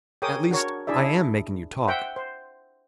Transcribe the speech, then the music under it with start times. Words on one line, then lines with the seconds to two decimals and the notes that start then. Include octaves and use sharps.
At least, I am making you talk!
0.22 G#4 A#4 C#5 G5 D6 D#6
0.50 D4 F#4 A#4 C#5
0.87 D4 E4 G#4 D5 E5
1.87 C5 E5 F#5 G5
2.16 C5